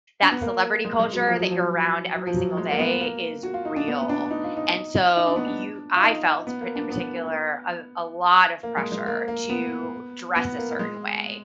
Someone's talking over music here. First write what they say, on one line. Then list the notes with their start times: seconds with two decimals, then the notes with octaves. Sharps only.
that celebrity culture, that you're around every single day, is real, and, so, you I felt, p in particular, a a lot of pressure to dress a certain way,
0.22 D4
0.31 B3
0.42 A#3
0.85 G#3
0.99 G#3
1.13 F#3
1.27 F3
1.39 F#3
1.51 F3
2.15 F#3
2.27 F3
2.36 F#3
2.50 F#3
2.57 G#3
2.71 A#3
2.79 B3
3.01 A#3
3.43 F#4
3.54 F4
3.65 D#4
3.76 D4
3.88 B3
4.01 B3
4.09 D4
4.31 D#4
4.44 F4
4.57 D#4
5.17 D#4
5.27 D4
5.36 B3
5.46 D4
5.96 F4
6.03 D#4
6.47 B3
6.61 A#3
6.76 D4
6.90 B3
8.63 A#3
8.77 G#3
8.92 G#3
9.07 A#3
9.28 A#3
9.50 B3
10.36 B3
10.58 A#3
10.79 G#3